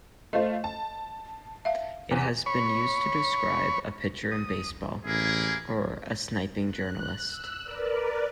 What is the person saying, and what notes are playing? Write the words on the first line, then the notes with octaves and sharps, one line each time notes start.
It has been used to describe a pitcher in baseball, or a sniping journalist.
A3 F4 C5 D#5
A5
E5 F5
E2
C#5 B5 C#6
D#6
A1 A#3 E4 G#4
F#6
E6 F#6
A#4 B4 D5